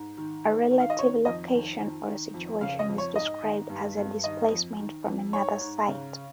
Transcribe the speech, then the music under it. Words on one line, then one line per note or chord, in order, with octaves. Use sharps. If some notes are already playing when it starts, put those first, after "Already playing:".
A relative location, or situation, is described as a displacement from another site.
Already playing: G#2
D#3
D#3
D#3
F5
D#5
D#3 C#5
F2 D#5
D#3
D#3
D#3
F2
C#3 F5
D#5
F2
C#5
G#2 D#5
D#3
G2
G2
D#3 D#5
F2
D#3
F2
G#2 C#5
G#2
C#3